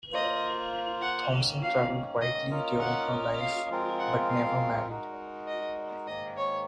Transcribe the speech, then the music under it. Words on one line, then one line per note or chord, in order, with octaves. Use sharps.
Thompson travelled widely during her life but never married.
A#3 F4 C5 D#5
F#5
G#2 D#3 A#3 C#4
F5
D#5
A#3 C#4 F4 A#4 D#5
F#5
F5
F3 G#3 C4 F4 A#4
F#5
F5
G#3 D#4 F#4 A#4
D#5
G#2 D#3 A#3 D#5
C#5